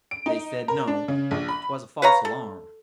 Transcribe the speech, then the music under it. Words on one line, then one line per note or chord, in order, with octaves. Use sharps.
They said, no, 'twas a false alarm.
D7
D#4
A#4
D4
C#3
A#1
B5
B4 C#5 F5 A#5
A4